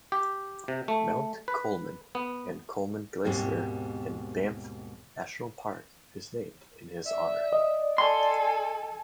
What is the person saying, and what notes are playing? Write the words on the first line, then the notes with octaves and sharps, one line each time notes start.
Mount Coleman and Coleman Glacier in Banff National Park is named in his honour.
G4
C3
A3
B4
B3
D#2 G#2 B2 G3 A#3 C4
D5 E5
D#5
A4 G#5 C6